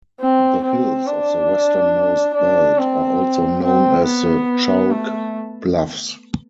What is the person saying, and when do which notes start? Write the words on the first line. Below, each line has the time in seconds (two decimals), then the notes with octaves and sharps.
The hills of the westernmost belt are also known as the Chalk Bluffs.
0.21 C4
0.64 C4
1.06 D4
2.34 D4
2.77 C4
3.63 C4
4.06 B3
4.91 A3